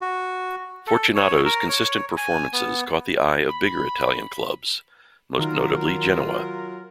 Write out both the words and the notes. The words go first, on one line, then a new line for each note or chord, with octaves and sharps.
Fortunato's consistent performances caught the eye of bigger Italian clubs - most notably Genoa.
F#4
A4
C#5
A#4
C#5
G#5
B3
B5
D#3 F#3 F4 A#4